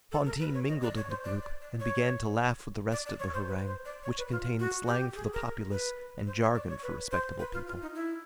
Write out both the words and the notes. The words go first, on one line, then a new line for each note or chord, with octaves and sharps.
Fantine mingled in the group, and began to laugh with the rest at the harangue, which contained slang for the populace and jargon for respectable people.
A4
A#4
B4
C#5
D#5
D5
C#5
C5
D5
D5
D5
C#5
D5
D5
C#5
C5
B4
C5
D5
C#5
B4
F4
F#4
G4
G#4
A#4
B4
C5
C#5
D5
C#5
B4
C5
B4
F4
F4
D#4
E4